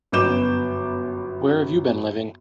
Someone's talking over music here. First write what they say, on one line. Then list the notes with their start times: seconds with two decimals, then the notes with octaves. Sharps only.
Where have you been living?!
0.12 G1 F#2 B3 D6 G6 E7